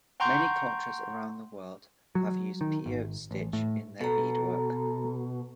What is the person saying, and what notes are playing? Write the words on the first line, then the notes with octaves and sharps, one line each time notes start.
Many cultures around the world have used peyote stitch in their beadwork.
F#5 G5 A#5 C6 C#6 G6
F#3
D#3
G#1
A1
A2
B2 A4 A#5